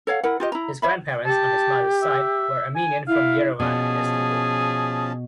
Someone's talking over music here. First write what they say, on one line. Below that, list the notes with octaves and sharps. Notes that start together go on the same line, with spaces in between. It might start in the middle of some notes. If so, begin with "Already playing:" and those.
His grandparents on his mother’s side were Armenian from Yerevan and Istanbul.
A4 C#5 F5 F#5
E4 A#4 F#5
F4 G4 D#5
E4 A#5
C#5 E5 B5
G4 A5
E5
G#5
E4 F5
B2 F3 C#4 G#4 A5